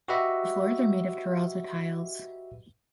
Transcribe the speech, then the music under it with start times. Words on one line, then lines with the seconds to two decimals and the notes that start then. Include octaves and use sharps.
The floors are made of terrazzo tiles.
0.08 F#4 G4 B4 D#5 E5 F#5